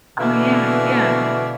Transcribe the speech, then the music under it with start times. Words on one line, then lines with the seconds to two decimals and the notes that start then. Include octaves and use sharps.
Oh, yeah, yeah.
0.19 B2 D3 E3 D5 E5 F5